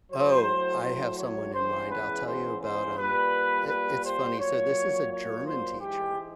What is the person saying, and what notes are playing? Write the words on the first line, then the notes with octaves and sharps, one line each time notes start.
Oh, I have someone in mind I'll tell you about 'em, it it's funny so this is a German teacher.
A2 F#3 C5
C5
C#5
E2 C#3 E3 G#3 C5
B4
C5
C5
A#2 G3 B4
B4
C5
A#2 F#3 C#5
C#5
C5
G#2 E3 G#3 G4